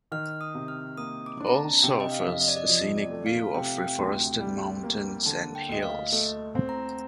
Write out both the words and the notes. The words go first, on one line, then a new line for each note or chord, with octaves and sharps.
Also offers a scenic view of reforested mountains and hills.
D#3 F6
D#6
C3
F6
A#3 D#6
D6
D4
A#5
A5
C3 G5
D#5
F5
F2
D#5
D5
D#5
F3 D#5
D5
A3
F5
C3 G5
F5
G5
D2
G3
A#3
D3 A5
G5
D2 D#5
F5
A3 D#5
C4
A#5